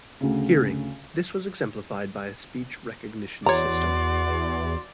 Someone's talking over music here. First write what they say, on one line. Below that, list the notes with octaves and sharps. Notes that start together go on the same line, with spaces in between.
Hearing: this was exemplified by a speech recognition system.
D2 C#3
E2 F#4 C#5 D5 A#5 C6